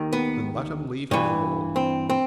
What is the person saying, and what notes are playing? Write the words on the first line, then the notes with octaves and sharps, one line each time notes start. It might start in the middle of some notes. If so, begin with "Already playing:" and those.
'Then let him leave me alone.
Already playing: D#2 D#3
B3
G2 E3
C4
C4